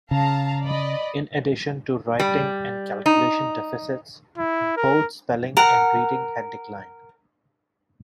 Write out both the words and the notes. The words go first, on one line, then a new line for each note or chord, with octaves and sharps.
In addition to writing and calculation deficits, both spelling and reading had declined.
C#3 F5 A5 A#5
D5 D#5 B5
G3
D#4
E4
A#4
A#4 F#5